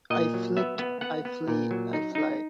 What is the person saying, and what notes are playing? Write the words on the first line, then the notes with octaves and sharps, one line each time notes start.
I flit, I flee, I fly.
A#2 D#5
F#3
B3 E5
B3
B3 F#5
B3
A#2
F#3
D#4
D#4